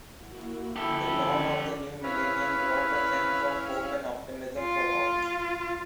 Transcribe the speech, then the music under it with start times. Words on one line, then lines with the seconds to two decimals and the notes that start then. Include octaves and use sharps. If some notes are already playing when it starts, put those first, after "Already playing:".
The dawn of the new millennium brought a sense of hope and optimism for all.
0.12 A#3 E4 F#4
0.76 D3 F3 C#4 E4 G4 A4
2.04 C#4 E4 B4 F5
4.60 F4